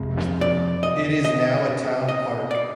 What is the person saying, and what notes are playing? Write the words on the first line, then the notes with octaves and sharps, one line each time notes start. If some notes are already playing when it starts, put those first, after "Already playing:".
It is now a town park.
Already playing: F2 C3 F3 G#3
D5
D#5
D#5
D#5
D5